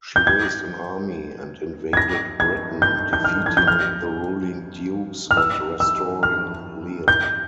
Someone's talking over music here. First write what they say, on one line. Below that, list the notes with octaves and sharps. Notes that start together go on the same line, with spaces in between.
She raised an army and invaded Britain, defeating the ruling dukes and restoring Leir.
G6
G#6
G#6
A#6
G#6
G6
G6
F6
G#6
G6
F6
F6
E6
E6
F6
G6